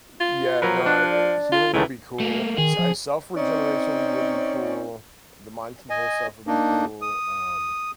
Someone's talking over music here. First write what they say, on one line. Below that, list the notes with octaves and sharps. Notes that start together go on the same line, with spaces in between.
yeah, no, e healing would be cool, s I self regeneration would be cool, the mind control stuff would be cool, um,
F4
F3 F#3 A#4 B4
D4 F#6
D5
F4
C#2 D#3 E3 A3 A4
A3 A#3
D#3 G#4
F3
C4 C#4 D#4 C#5 D5
D#5 G#5
A#3 D4 D#4
D#6